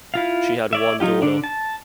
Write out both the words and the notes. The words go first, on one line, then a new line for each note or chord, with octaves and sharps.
She had one daughter.
E4 F4 F5
C#5 D5 E5
F#3 D#4 F4 G4
D3 D4
A5